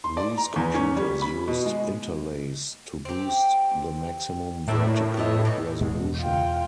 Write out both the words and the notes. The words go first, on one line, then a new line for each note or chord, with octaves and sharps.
These computers used interlace to boost the maximum vertical resolution.
C6
D5
A#5
E2
C#4
G3
B5
B2
G#3
C4 G4
A2 A#3 D4 E5
B3 D#5 E5
E3 D#4
E2 B2 G#3
F4 G5